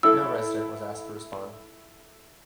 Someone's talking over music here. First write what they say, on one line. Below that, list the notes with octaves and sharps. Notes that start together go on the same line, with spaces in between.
No resident was asked to respond.
E4 A4 E6